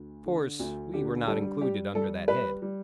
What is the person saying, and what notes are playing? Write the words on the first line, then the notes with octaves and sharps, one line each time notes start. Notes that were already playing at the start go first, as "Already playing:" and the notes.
Of course, we were not included under that head.
Already playing: D2
D3
D2
D3 G4
G3 A4
G3 G4
G3 A4
G3 B4
G3